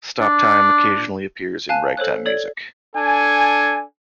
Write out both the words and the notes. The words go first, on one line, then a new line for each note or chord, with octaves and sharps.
Stop-time occasionally appears in ragtime music.
D4
F5 G#5 A5 F#6 D#7
A4 C5 C#5 F#6
A4 C#5 D5 G#6 F#7
D4 A4 G#5